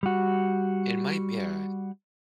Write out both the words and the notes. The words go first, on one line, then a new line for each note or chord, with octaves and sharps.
It might be a
G3 F#4